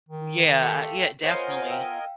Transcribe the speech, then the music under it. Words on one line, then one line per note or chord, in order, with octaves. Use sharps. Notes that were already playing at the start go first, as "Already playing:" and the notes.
Yeah, uh, yeah, definitely.
D#3
A3 F4 G4
B3 E4 F4 A#4 C5 C#5 D#5 G#5
F5 G5 E6